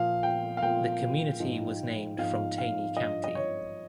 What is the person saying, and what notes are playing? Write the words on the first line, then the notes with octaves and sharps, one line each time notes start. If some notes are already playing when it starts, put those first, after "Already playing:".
The community was named from Taney County.
Already playing: A#2 F3 F5
G5
F5
A#2 F3 G5
G#2 F3
G#2 F3 F5
F5
G2 F3 D#5
D#5
C#5